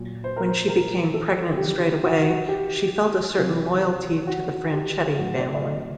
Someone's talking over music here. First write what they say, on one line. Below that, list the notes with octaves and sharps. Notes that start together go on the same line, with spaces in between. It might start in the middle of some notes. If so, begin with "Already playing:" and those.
When she became pregnant straightaway, she felt a certain loyalty to the Franchetti Family.
Already playing: A#2 F#3
C5
A#4
C5
A#4
A4
C3 D#3 F#3 G4
F#4
F#4
G4
C3 F#3
F#4
G4
A2 F#3 F#4
C5
D5
D5
D#5